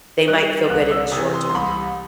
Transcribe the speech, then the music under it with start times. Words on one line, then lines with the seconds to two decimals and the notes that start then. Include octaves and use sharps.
They might feel good in the short-term.
0.28 G3 D#4 F#6
0.69 C2 F#6
0.91 E6
1.11 C3 D#6
1.17 E3
1.34 C6
1.49 C6
1.54 C2 B5